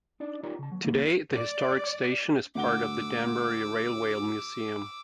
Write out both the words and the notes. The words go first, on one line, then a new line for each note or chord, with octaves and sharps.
Today, the historic station is part of the Danbury Railway Museum.
D4 D#4 D5
D#4 F4 G4 A#4 C#5 D5
C#3 A5
D#2 F#3
D#3 G3 A3 A#3 D#4
D5
D2 F#5 D6 E6 G7